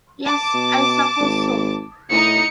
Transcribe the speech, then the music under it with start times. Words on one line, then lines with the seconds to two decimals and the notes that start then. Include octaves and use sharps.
Yes, I suppose so.
0.25 A5 D6
0.54 B2
1.20 G#1
2.11 A2 D#4 C#7